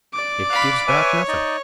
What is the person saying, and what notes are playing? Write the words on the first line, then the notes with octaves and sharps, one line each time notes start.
It gives back nothing.
D5 D6
F5 B5 F#6
B4 C#5 E5 G#5
D#4 D5 D#5